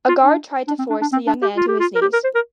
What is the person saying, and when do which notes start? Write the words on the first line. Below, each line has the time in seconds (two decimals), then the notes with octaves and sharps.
A guard tried to force the young man to his knees.
0.09 F4
0.23 D4
0.68 D4
0.79 C4
0.90 D4
1.01 D4
1.13 C4
1.27 D4
1.42 G4
1.57 F4
1.68 G4
1.79 F4
1.95 A#4
2.01 G4
2.13 A#4
2.24 C5
2.35 A#4